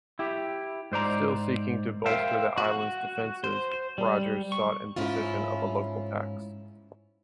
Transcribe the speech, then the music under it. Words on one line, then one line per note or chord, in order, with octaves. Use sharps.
Still seeking to bolster the island's defences, Rogers sought imposition of a local tax.
E4 G4
G#2 C5 D5 A#5
A#4 C5 E5 F5 G5
F#4
C5
G3
C#6
G#2 C#4 E4 F4